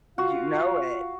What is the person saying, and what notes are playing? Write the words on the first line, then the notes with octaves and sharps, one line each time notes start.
You know it.
F4 F#4 F5